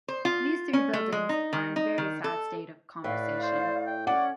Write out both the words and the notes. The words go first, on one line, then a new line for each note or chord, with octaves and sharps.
These three buildings are in a very sad state of conservation.
C5
F4
C#4
A3
G#3
D#4
D#3
D#4
D#3
A4
A2 B4 D5 F5
C5
G5
C#4 D5 F#5